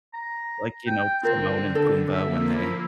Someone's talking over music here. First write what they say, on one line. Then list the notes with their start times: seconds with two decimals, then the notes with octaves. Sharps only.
like, you know, Timon and Pumbaa when they
0.14 A#5
0.87 G5
1.23 D3 C4 F4 A#4
1.75 A4
2.13 F3 A#3 E5
2.56 E4